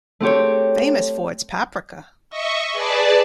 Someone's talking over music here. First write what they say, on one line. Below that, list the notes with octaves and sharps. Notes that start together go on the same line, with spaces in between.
Famous for its paprika.
A3 C4 G4 C#5
D#5 E5 C#6
G#4 B4 D5 A5